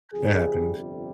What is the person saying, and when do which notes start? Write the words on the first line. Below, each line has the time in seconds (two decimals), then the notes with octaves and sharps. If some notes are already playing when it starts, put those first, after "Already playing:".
it happened.
0.13 G1 F2 C3 G3 G#4